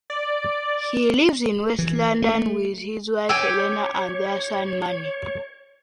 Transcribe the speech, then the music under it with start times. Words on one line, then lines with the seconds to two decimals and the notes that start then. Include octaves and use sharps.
He lives in west London with his wife Helena and their son Manny.
0.10 D5
1.79 E3
2.22 A3
3.29 G4 C#5 G5 G#5 E6